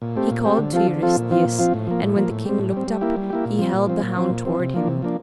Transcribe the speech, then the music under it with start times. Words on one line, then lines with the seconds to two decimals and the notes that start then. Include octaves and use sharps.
He called to Eurystheus, and when the king looked up he held the hound toward him.
0.02 A#2
0.16 A3 C4 G4
0.31 A#2
0.45 A3 C4 G4
0.58 D3
0.73 F3 C4 F4 A4
0.87 D3
1.02 F3 C4 F4 A4
1.16 A#2
1.30 F3 C4 F4
1.45 A#2
1.59 F3 C4 F4
1.74 A2
1.87 F3 A#3
2.01 A2
2.16 F3 A#3
2.30 A2
2.45 G3 C4
2.58 A2
2.73 G3 C4
2.88 G3
3.01 A#3 E4 G4
3.16 G3
3.30 A#3 E4 G4
3.45 A#2
3.59 F3 C4
3.73 A#2
3.87 F3 C4
4.02 A#2
4.17 F3 C4
4.30 A#2
4.45 F3 C4
4.60 C3
4.74 F3 A#3 D4
4.88 C3
5.02 F3 A#3 D4